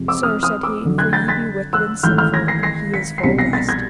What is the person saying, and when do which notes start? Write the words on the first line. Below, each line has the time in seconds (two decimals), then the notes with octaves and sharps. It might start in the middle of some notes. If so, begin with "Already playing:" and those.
Sir, said he, for ye be wicked and sinful, and he is full blessed.
Already playing: F2 C3 F3 G#3
0.08 D6 E6
0.23 D#6 F6
0.43 D#6 F6
0.63 D6 E6
0.83 F2 D3 F#3
0.98 F#6 G#6
1.13 G6 A6
1.28 A6 B6
1.73 E6 F#6
2.03 G#1 G#2 E3 A3 F6 G6
2.18 F6 G6
2.34 G#6 A#6
2.48 A#6 C7
2.63 A#6 C7
2.94 B6 C#7
3.18 C7
3.23 C2 B2 G3 B3 D4 B6 C#7
3.38 A#6 C7
3.53 A6 B6
3.69 G#6 A#6